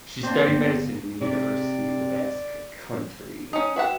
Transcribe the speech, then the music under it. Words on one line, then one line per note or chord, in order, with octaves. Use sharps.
She studied Medicine in the University of the Basque Country.
A#3 C4 D4
G1 B3
C3 D5
C#4 D#4 D#6 C#7
F#4 B4 E5 F#5 G5 E7